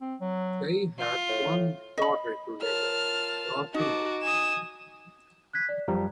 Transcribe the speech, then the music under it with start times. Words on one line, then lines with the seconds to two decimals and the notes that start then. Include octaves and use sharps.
They had one daughter together, Rosines.
0.01 C4
0.21 F#3
0.99 F4
1.29 A2
1.98 D#5 B5
2.62 F4 A#4 C#5 A5 F6
3.74 D#4 F#4 D#5 A5 D6
4.22 G#5 D#6 E7
5.53 F#6 G#6 B6
5.69 D5
5.88 F#2 F3 G3 A#5